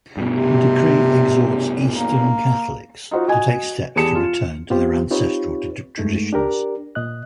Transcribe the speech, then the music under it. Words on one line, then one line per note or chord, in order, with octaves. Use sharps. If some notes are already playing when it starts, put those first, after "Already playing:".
The decree exhorts Eastern Catholics to take steps to return to their ancestral traditions.
G2 B2
C3
A#3
D#4 F4 F#4 C5
F#4 D#5 G#5
E2 G4 G#4 A5 C#7 E7
F4
B3 C4 F4 G4 C5
C4 D#4 F4 G4 B4 C#5
G2 G#3 A3 D#4
D4 G4 A#4 D5
A#2 D#5 F#6